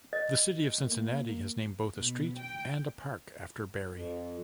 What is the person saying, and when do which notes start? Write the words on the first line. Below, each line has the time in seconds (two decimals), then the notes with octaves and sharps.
The city of Cincinnati has named both a street and a park after Berry.
0.13 D#5
0.86 A#3
1.97 B2
2.37 G5
3.91 F2